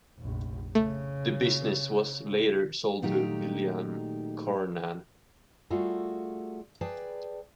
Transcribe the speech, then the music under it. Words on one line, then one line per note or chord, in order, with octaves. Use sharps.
The business was later sold to William Carnan.
F1 A#1
C#3 A3
A#2 D#3 F#3 A3 D#4 G4
G3 A3 F4 F#4 G#4 A4
G#4 B4 D5 G5 A5